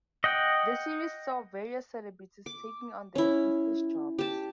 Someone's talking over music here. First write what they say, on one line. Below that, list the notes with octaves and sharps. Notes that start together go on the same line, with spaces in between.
The series saw various celebrities taking on their ancestors' jobs.
D#5 F#5 G5
D6
C#4 E4
G4 A5